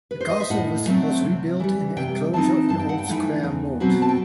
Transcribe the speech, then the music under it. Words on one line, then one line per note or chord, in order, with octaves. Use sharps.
The castle was rebuilt in the enclosure of the old square moat.
B4
C5
D#5
E5
A2 F#5
F#3 A3 C4
C3
E3 G3
C3 G5
E3 A3 C4 D#4 A5
G2 A5
G5
F#5
G5
E3 A3 D#4
E2
B2 F#3 C4
A5
G5